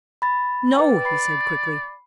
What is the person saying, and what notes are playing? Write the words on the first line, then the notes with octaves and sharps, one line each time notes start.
"No!" he said, quickly.
B5 A6
B4 D5 G5
B5 C7